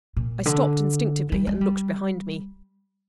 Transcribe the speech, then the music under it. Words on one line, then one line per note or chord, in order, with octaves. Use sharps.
I stopped instinctively, and looked behind me.
A#2
D3
G3
G#3
G3